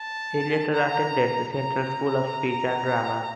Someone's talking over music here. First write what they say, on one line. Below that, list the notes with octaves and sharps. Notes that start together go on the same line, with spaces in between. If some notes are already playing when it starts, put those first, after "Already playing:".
He later attended the Central School of Speech and Drama.
Already playing: A5
A#5
A#5